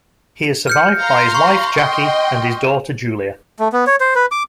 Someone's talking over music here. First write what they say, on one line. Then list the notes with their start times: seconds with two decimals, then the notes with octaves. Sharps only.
He is survived by his wife, Jaquie, and his daughter, Julia.
0.67 F6 G6 C#7
0.99 F5 A#5 C6
1.35 C#6
1.77 D#5 G5 C6
3.59 A3
3.73 B3
3.87 C#5
4.00 C5
4.15 B4
4.31 D6